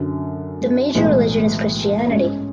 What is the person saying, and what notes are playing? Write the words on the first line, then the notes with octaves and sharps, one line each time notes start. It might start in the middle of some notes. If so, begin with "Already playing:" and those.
The major religion is Christianity.
Already playing: F#2 D3 F#3
B1 A2 E3 G#3
G#2 G#3 C#4